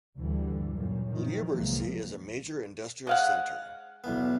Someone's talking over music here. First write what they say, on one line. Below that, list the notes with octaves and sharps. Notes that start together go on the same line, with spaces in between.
Lyubertsy is a major industrial center.
D2 G2 D3 E3 G3
F#2 A#2
D#3 F3
C2 F#2 E3 F3 G#3 A#3
G#3 F5 F#5
B1 E2 B3